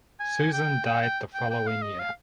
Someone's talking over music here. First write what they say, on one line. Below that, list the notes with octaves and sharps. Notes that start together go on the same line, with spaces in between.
Susan died the following year.
G#5
G5
G5
G5
G5
G5
F5
D#5
F5